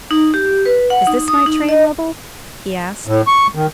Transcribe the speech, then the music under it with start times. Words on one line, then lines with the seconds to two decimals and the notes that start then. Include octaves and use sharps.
"Is this my train, Lovell?" he asked.
0.11 D#4
0.34 G4
0.66 B4
0.90 F#5
1.07 D#4
1.28 D#6
1.46 D#4
1.69 D#5
3.07 A2
3.27 C#6
3.55 D#3